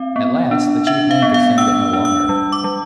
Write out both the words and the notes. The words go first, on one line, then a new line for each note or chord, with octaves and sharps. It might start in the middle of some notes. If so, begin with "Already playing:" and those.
At last the Chief Man could stand it no longer.
Already playing: C4 F5
B3
D4
D4 E5
F5
B3
F5
D4 E6
D4
E6
G3
D6
G3